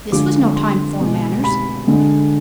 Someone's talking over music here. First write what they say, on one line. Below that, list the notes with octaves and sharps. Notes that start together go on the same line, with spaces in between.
This was no time for manners.
D3 F3 G#3 D6
C6
B2 G#3
B5
D3 G#3